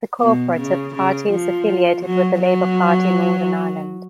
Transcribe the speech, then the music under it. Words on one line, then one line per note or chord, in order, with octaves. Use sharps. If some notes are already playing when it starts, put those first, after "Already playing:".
The Co-operative party is affiliated with the Labour Party in Northern Ireland.
B2
C#3
C#3
F3
F#3
F#3